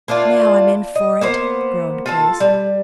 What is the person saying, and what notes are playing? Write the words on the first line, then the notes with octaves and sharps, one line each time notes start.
"Now I'm in for it," groaned Grace.
A#3 D4 E4 F4
D#5
A#3 B3 C5
F4 A4 A5
G3